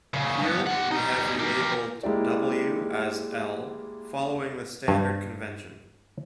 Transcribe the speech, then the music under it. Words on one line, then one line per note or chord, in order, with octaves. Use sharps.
Here, we have relabeled W as L following the standard convention.
A#2 C#3
G2 B3
G4 F#5
G3 D#4
G4 A#4
G#3 A#3 E4 F4 G4 D5
G2